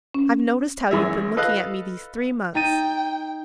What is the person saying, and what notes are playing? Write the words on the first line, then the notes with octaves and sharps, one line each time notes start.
I've noticed how you've been looking at me these three months.
C#4
G#1 F#2 E3 G#3 E5
A4 B4 D#5 F5 F#6
D#4 G5 A6 D#7